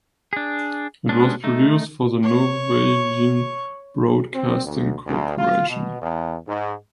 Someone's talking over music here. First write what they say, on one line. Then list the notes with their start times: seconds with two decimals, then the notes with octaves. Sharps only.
It was produced for the Norwegian Broadcasting Corporation.
0.33 D4 G#4
1.09 G#3 B3 C#4 D4
1.44 A3 D#4
2.23 C#5 C#6
4.33 C4
4.64 D2
5.06 D2
5.39 F4
5.69 B2
6.01 E2
6.47 G#2